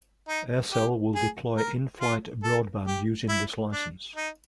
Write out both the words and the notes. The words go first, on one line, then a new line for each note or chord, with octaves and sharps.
Aircell will deploy in-flight broadband using this license.
D#4
G4
G#4
A#4
F4
A4
G4
E4
D4
D#4